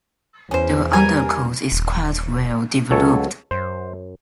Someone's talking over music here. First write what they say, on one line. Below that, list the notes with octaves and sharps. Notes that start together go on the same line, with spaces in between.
The undercoat is quite well developed.
E2 C#4 C5
G3 A#4 G#5
D#1
C#2 F#3 A4 C#5
F#2 C5